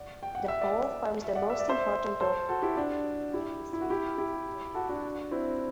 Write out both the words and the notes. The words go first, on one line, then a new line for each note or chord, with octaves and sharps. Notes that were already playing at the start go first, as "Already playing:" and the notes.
The whole forms the most important authority for the history of contemporary oratory.
Already playing: D5 F#5
G5
F#5
E5
D5 F#5
E5
D5 F#5
E5
D5
C5 E5
A4 C5
F#4 A4
E4 G4
D4 F#4
E4 G4
E4
F#4
E4 G4
E4 G4
F#4 A4
D4 F#4
C4 E4